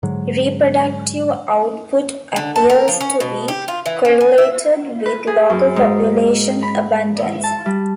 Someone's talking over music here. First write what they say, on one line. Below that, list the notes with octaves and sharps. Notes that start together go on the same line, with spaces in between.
Reproductive output appears to be correlated with local population abundance.
G#2 D3 F#3 G#3
D3
A5
A#4
F3
C#4
B2
G4
F4
E3
C#4
G#5
E5
B4
G#4
F#2
G#2
B5
A5
G3